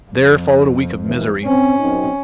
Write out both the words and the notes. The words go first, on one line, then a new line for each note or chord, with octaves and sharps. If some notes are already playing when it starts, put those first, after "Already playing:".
There followed a week of misery.
F2
D#2 G#2 E3
C4 C#4
F#2 C4 D#4